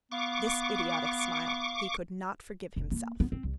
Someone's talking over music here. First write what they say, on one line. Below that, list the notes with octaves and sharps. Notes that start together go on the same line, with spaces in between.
This idiotic smile he could not forgive himself.
B3 F5 C#6 D6
F1
A#3
B3
C4
C2